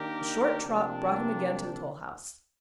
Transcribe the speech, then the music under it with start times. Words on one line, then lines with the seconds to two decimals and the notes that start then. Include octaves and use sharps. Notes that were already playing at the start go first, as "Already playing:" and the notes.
A short trot brought him again to the toll-house.
Already playing: D#3 A#3 D4 G4 A#4
0.64 C3 F3 A#3 D4